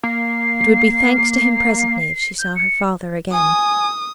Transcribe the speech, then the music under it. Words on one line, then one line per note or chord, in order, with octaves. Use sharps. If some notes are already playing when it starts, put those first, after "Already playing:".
It would be thanks to him presently if she saw her father again.
A#3 C7
G6
C#7
G#5 D#6